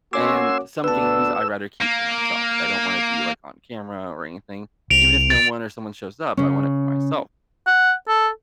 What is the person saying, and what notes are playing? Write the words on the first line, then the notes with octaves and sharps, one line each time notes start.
and some games I rather keep for myself. I don't wanna be, like, on camera or anything. Even if no one or someone shows up, I want it for myself,
A#3 C#4 F#4 C#5 G#5 C6 D6 E6
D2 B3 D4 B4 A5 E6
A#3
C2 D7 F7
A6
C#3 C#4
F#5
A4